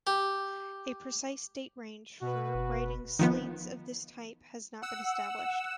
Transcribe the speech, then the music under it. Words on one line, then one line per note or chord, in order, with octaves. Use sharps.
A precise date range for writing slates of this type has not been established.
G4
B2 F#4 B4
F#1
D#3 F3 B3
F#5 E6